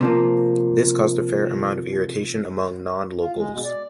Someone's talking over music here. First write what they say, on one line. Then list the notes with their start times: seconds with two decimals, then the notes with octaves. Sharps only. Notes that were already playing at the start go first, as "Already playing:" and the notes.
This caused a fair amount of irritation among non-locals.
0.01 C3 F3 A#3
3.21 F4
3.37 G#3
3.52 B2
3.64 D5